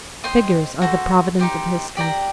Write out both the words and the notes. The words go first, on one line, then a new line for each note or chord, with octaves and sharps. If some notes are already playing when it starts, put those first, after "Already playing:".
Figures are the providence of history.
C5 D#5 G5 C6
F#4 A4 C5
D#4 G4 C5
G4 D5 G5 A#5